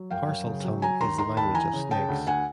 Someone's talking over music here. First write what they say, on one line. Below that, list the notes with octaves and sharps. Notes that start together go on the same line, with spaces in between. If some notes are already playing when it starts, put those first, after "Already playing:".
Parseltongue is the language of snakes.
Already playing: F#3
F#2 F5 G5
F#2
C#3
F#3
F#3 G#5 A#5
D#2 A#5 C6
D#3 A#5 C6
D#2 A5 B5
E3 G#5 A#5
C#3
C#3 G5 A5
D2
D2 F#5 G#5